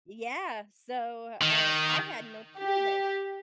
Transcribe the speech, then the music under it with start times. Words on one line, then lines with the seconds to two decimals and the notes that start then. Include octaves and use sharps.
Yeah, so, um, I had no clue that,
1.42 D#3
2.57 G4